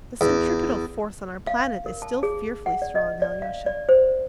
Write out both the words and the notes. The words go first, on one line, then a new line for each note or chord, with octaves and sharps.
The centripetal force on our planet is still fearfully strong, Alyosha.
E2
F5
A#4
A5
G#4
F#5
D5
D#5
D5
F5
D5
C5